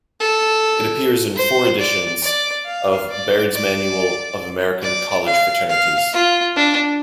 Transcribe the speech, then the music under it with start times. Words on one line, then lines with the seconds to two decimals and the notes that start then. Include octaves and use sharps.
It appears in four editions of "Baird's Manual of American College Fraternities".
0.20 A4
1.36 C5
1.79 D5
2.22 D5
2.66 F5
3.10 D5
3.53 D5
4.83 D5
5.26 F5
5.70 F5
6.13 F4
6.56 D4